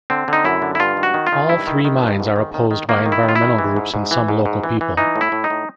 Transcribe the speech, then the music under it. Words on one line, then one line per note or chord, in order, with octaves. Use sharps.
All three mines are opposed by environmental groups and some local people.
D3 C4
D3 D#4
F#2 E4
D3
E4
G2 F4
D#3
F#4
D#3
F4
D#3
G2 E4
D#3
D#3
G2
G#2
D#3
D#3
D#3
D#3 A#3
D#3
E4
D#3
F4
E4
D#3
E3
G#2
G#2
E3
G#2
G#2
E3
E3
E3 D#4
A2
E4
A2
D#4
A2